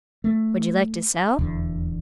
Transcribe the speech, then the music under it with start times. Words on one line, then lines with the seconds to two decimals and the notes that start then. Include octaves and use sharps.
"Would you like to sell?"
0.24 A3
1.38 D#1 E2 D3